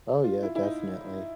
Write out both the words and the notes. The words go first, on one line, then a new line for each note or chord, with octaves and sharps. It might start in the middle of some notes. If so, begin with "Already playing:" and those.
Oh, yeah. Definitely.
F4
E4
E4
D#4